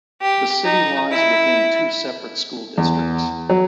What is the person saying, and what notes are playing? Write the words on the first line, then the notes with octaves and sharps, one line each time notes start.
The city lies within two separate school districts.
G4
D#4
E4
E2
F#3